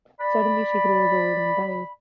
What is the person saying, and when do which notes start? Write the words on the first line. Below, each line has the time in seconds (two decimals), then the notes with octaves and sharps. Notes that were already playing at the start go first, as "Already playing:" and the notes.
Suddenly she grows old and dies.
0.20 D5 B5